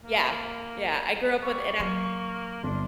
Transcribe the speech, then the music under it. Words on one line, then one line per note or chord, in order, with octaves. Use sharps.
yeah, yeah, I grew up with and I
A#3
G3 C#6
F#3 A#3
G1 D4 C6